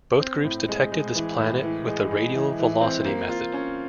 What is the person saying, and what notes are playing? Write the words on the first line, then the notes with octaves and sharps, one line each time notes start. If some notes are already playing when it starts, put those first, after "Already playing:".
Both groups detected this planet with the radial velocity method.
C4
A2
G#3
G#3
E3
A2
E3
G#3
G#3
E3
E3
C4
A#3
F4
C#4